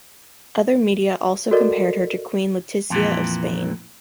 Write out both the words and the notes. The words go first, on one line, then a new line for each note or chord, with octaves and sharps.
Other media also compared her to Queen Letizia of Spain.
F#4 A4 A#4 D5 D#5
F2 A#2 E3